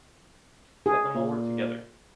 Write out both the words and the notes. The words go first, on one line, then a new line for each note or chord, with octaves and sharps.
Let them all work together.
G#4
A#2